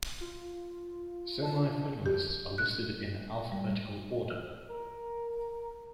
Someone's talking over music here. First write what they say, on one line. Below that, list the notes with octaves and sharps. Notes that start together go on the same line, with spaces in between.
Semi-finalists are listed in alphabetical order.
F4
A5
G4
F#6
G3
A#4